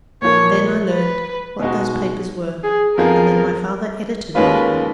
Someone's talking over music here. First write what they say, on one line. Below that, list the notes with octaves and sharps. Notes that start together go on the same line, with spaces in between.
Then I learned what those papers were, and that my father edited one of them.
A#2 F3 A#3 C#5
B4
B2 G#3 D#4 F#4
G#4
F2 F3 B3 F4 G#4 A#4
D#2 D#3 G#3 C#4 F4 B4